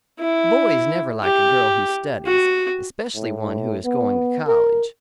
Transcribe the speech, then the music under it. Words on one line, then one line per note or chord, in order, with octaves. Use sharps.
"Boys never like a girl who studies; especially one who is going to College."
E4
G4
F#4
A2
B3
A#4